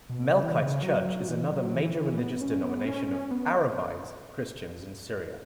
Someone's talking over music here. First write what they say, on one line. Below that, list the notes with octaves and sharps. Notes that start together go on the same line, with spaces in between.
Melkite Church is another major religious denomination of "Arabized" Christians in Syria.
B2
C#3
E3
C#3
F#3
F#3
E3
F#3
E3
E3
B3
C#4
B3
C#4
C#4
B3